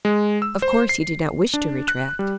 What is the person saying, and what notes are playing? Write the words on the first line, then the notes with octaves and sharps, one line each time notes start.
Of course he did not wish to retract.
G#3
E6
C5
C7
D4
F#6
G3